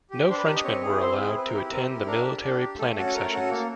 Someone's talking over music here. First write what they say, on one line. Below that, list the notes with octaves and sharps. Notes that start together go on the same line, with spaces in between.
No Frenchmen were allowed to attend the military planning sessions.
G4
D4 C5
B4
G4 A#4
D#5
C4 C#5
E4 G#4
C4 C5
E4 G#4
C4 B4
A#4
E4 G4 B4
C4 A#4
E4 G4
D4 A#4
G4
D4
G4
A3 A4
C#4 F#4 A4
A3 A#4
C#4 F#4 A4
A#3